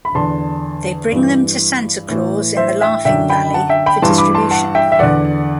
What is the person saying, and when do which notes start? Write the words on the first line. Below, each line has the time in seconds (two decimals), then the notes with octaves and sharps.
They bring them to Santa Claus in the Laughing Valley for distribution.
0.05 B5
0.15 E2 D3 A5 C6
1.12 G2 E3
2.09 A2 E3
2.57 C5 E5
2.81 E5 G5
3.05 F#2 D3 E5 G5
3.29 G5 B5
3.54 F#5 A5
3.69 E5 G5
3.86 G5 B5
4.02 G2 E3 A5 C6
4.18 B5 D6
4.34 A5 C6
4.51 F#5 A5
4.75 E5 G5
4.92 E5
4.99 E2 D3 D5 F#5